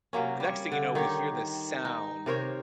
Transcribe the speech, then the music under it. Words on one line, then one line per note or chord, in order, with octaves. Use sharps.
the next thing you know, we hear this sound
C3 F#3 A#3 C#4
G3 C#5
D3
D#3 D#4 G4 C#5
D#4
C3 A#4 C5 C#5